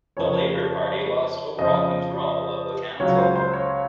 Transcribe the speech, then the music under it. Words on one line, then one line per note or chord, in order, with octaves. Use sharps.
The Labour party lost overall control of the council.
F2 C#3 F3 C#5
F2 C#3 F3 D#5
C#2 C#3 F#3 C#5
C5
C5
C#5